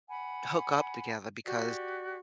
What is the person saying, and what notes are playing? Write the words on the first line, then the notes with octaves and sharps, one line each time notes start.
hook up together because
F#5 G#5 B5
F#4 G4 D5